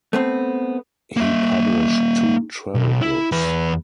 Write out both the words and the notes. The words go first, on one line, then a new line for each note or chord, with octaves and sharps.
He published two travel books.
A3 B3 C4
A#3 E5
B1
E4
E2 B4